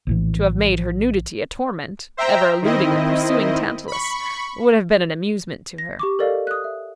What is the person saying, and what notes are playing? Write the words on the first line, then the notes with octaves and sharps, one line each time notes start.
To have made her nudity a torment, ever eluding a pursuing Tantalus, would have been an amusement to her.
A#1 A2 E3
C5 E5 G5 A#5
D#3 C4 E4 D#5
B5 C#6
A#6
G4 C#6 D6
A4 A#4 D5 D#5 F5
D#6 F#6
E5